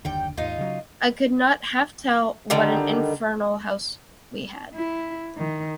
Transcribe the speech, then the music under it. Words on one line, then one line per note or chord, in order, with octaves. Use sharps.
I could not half tell what an infernal house we had.
F#1 D#2 D3 G3 G5
D#2 G#2 D#4 F4
C#3 F#3
D3 D#3 G3
E4
D#3